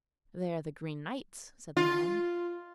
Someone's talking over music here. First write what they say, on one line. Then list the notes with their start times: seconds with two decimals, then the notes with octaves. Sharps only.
'They are the Green Knight's,' said the man.
1.77 F4